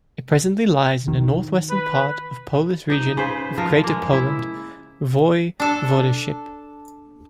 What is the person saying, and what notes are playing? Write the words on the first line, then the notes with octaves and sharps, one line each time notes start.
It presently lies in the north-western part of Polish region of Greater Poland Voivodeship.
D#3
B4
D#4 D#5
C#3 B4 C5
F3 F4 A#4
G#3 A#3
E4
D4 A4